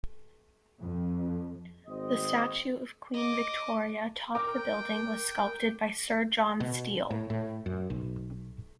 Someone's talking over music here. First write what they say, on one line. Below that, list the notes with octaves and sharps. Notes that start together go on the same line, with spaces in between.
The statue of Queen Victoria top the building was sculpted by Sir John Steell.
F2
G#1 C4 D#5
D#5 D6
A#4 G5 D6
B2
A2
A2
F#2
B1